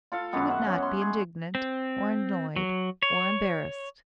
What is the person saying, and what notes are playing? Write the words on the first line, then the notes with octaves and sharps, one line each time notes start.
He would not be indignant, or annoyed or embarrassed.
F4 A4 F5
F#2 D#3 G#3 B3
E5 F#5
C#4
C6
G#4
C4
F#3
C#5